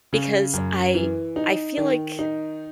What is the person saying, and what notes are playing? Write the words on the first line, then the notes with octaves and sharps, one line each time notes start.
Because I I feel like
C#3
F#2
E3
D#4
D#3
D#4